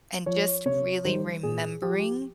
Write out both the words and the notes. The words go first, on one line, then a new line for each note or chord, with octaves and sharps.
and just really remembering
F3 C#5
C3 C#5
D#3 G3 C5
A#2 G#4
F3 G4